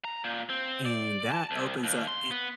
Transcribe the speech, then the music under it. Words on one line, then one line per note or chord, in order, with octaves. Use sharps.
And, that opens up eh
A#5
A#2
C4
D5
A5
C2
D#2
C6
B3